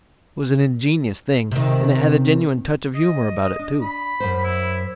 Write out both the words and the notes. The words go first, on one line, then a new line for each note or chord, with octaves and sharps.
It was an ingenious thing and it had a genuine touch of humor about it, too.
C3 D#3
D#5
D4
B5
F#2 A#2 C5
E4